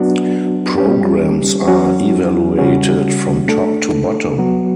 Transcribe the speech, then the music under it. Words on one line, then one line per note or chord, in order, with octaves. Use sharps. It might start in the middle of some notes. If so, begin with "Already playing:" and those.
Programs are evaluated from top to bottom.
Already playing: F#3 B3 D4 F#4
G3 C#4 G4
F#3 C#4 F#4
C#3 G3 C#4 F#4
A3 D4 A4
F#3 B3 F#4